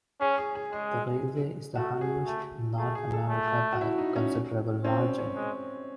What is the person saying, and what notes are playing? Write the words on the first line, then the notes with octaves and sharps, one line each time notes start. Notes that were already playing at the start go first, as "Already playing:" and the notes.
The railway is the highest in North America by a considerable margin.
C#4 G#4
G#4
G#4
G#3 G#4
A3 F#4
G#4
A3
A3 G#4
G#4
A4
A3
F#4
E4
D#4
C#4
C4 C#4
C4
C#4
G#3